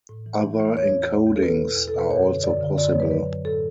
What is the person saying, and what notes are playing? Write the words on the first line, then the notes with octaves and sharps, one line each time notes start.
Other encodings are also possible.
A2
E3
E3
E3
E2 C#5
E2
E2
E2
A4
B2 B4
B2
E2
A4
B2 B4
F#2 C#5
D3
F#2 D5
D3
F#2 D5
C#5
F#3
B4
F#2 B4
F#2
A2 A4